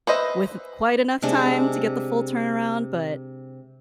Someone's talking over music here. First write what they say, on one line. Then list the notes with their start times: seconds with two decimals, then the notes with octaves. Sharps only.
with quite enough time to get the full turnaround, but
0.07 B4 C5 D#5 E5
1.22 C3 G#3 D4